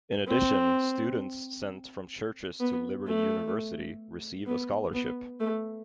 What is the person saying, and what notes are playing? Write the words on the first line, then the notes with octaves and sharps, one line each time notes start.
In addition, students sent from churches to Liberty University receive a scholarship.
C4
B3
A3
B3
B3
A3